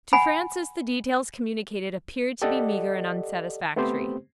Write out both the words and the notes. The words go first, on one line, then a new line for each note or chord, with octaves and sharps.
To Francis, the details communicated appeared to be meagre and unsatisfactory.
F#5 G#5 B5
G4 A4 D5 D#5 F#5
A3 B3 C4 G4 C5